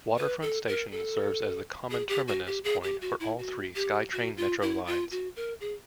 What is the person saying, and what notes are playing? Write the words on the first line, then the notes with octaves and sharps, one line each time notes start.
Waterfront station serves as the common terminus point for all three SkyTrain metro lines.
B4
A4
A#4
A4
G#4
G4
F#4
G4
G#4
G4
F#4
E4
F#4
G4
F#4
F4
E4
F4
F#4
A#4
G#4